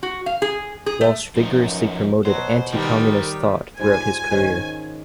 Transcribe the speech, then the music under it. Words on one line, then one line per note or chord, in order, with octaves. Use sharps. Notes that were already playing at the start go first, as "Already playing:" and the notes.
Walsh vigorously promoted anti-Communist thought throughout his career.
F#4
F5
G#4
G#4
A3
F#2 F3 D#4
B2 F#3 C5
D#3 G3 G4 A#4 C5
G#2 G3 F4 G#5
G#2 D#3 C#4